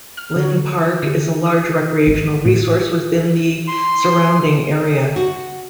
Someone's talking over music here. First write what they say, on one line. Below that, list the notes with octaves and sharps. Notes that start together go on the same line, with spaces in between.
Linn Park is a large recreational resource within the surrounding area.
F6
D3
D3
D#6
G#1
A2
C6
F#4